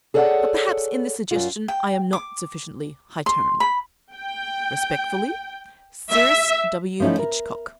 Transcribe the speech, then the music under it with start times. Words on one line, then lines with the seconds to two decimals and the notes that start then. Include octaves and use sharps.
But, perhaps in this suggestion I am not sufficiently high-toned.--Respectfully, CYRUS W. HITCHCOCK.
0.14 G#4 A4 C#5 D5 F5 F#5
1.31 F#2 F4
1.68 G5
2.13 D6
3.26 C6
3.60 B5
4.14 G5
6.10 E5
7.00 F3 A3 C#4 D#4 E4
7.19 A#4